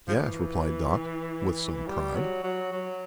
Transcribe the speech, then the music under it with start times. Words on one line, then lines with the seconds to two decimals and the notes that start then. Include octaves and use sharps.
"Yes," replied Dot, with some pride.
0.08 F3
0.16 E3
1.87 G3
2.15 F#3
2.44 F#3
2.72 F#3